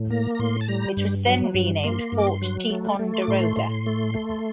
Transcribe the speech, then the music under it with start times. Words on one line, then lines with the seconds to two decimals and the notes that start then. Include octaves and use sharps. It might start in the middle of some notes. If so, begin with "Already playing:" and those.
It was then renamed Fort Ticonderoga.
Already playing: A2
0.10 A#3 A#5
0.35 A#5
0.39 A2 C6
0.61 A5
0.68 G3 A#5
0.97 G2
1.26 F#3
1.54 G2
1.84 A#3 C6
2.12 G2
2.18 D6
2.27 C6
2.42 F#3
2.70 A3
2.99 A3
3.14 C6
3.22 D6
3.28 A2 C6
3.57 A2
3.86 A3
4.15 A3